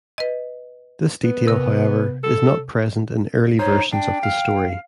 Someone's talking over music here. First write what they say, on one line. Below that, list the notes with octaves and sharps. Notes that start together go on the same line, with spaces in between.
This detail, however, is not present in early versions of the story.
B4 D#5
B3
C3 A#4
A4
D#4 C5 C#5
D4 G5
F5